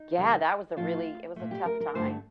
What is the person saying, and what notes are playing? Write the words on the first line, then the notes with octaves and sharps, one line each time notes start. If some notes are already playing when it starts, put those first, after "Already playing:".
Yeah, that was a really it was a tough time.
Already playing: D#4
F2 C3 D#3 G3
A2 F3 A3 F4
A#2 A3
G4
A#4
A#4
G2 D3 A3 C5